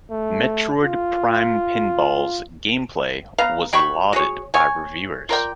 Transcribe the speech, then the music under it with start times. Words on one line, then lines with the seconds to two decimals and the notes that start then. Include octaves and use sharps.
"Metroid Prime Pinball"s gameplay was lauded by reviewers.
0.11 A3
0.83 F4
3.38 B3 F5 A#5
3.73 F#3 G5 B5 C#6
4.13 F#4 G#4 C#5
4.54 C#5 G#5
5.29 F4 A#4 D5 G5